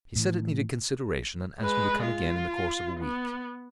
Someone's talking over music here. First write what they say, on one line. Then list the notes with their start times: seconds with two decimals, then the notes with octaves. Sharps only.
He said it needed consideration, and asked me to come again in the course of a week.
0.16 A2 E3
1.60 G#3 B4
2.02 F4
3.00 B3